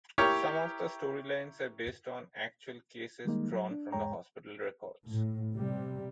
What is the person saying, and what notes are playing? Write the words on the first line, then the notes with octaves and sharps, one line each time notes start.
Some of the storylines are based on actual cases drawn from the hospital records.
E4 G4 A#4 C#5
D#3 G3 G#3 A#3 D#4
F#3
D4
E2 G#2 G#3 C#5 G5 A#5
A2
C3 G3